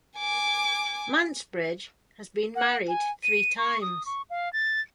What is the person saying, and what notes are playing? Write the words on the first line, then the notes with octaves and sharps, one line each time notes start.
Mansbridge has been married three times.
G#5 D6
F#5
G#5
D#7
C#6
D#6
C#6
F5
A6